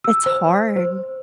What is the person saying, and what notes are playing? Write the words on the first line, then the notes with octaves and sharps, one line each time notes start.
it's hard.
E6
C5
C5